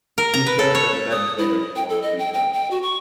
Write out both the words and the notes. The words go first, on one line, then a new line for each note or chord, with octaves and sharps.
He served as a legislator for three terms.
A#4
A#5
B4
A4
C#5
D#6
E4
G5
A4
D#5
G5
G5
G5
F#4
C#6